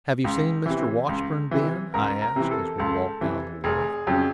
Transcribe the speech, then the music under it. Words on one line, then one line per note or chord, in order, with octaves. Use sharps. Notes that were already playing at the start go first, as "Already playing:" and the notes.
"Have you seen Mr. Washburn, Ben?" I asked, as we walked down the wharf.
C#2
C3 E3
C#2
C3 E3
C#2 A#4
A#4
C3 E3
A4
C#2 A4
C3 E3
F1 G#4
F2 C#3 F#3